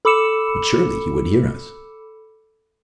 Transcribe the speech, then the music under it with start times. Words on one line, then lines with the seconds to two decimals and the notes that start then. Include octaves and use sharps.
"But surely he would hear us."
0.05 A4 B5 D6 E6 C#7 E7